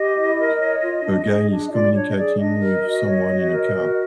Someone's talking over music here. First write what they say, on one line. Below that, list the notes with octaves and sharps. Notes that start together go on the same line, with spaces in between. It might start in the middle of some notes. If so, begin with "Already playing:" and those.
A guy is communicating with someone in a car.
Already playing: G4 D#5
E4
A#4
C#5
F4
D4
G#4
D4
D#5
F4 D5
D4 C#5
D#5
G#4 D5
D4 D#5
A#4
F#4
C#5
F#4
A#4
F#4